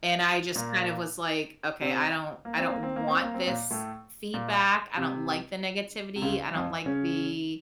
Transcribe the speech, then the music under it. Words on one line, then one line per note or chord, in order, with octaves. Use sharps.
And I just, kind of was like, "Okay, I don't I don't want this feedback, I don't like the negativity, I don't like the"
A#2 A#3
C3 C4
A#3
C4
A#3
C4
A#3
C4
A#3
C4
A#2 A#3
A2 A3
A#2
C3
C3
C#2 C#3
F2 F3
C#3 C#4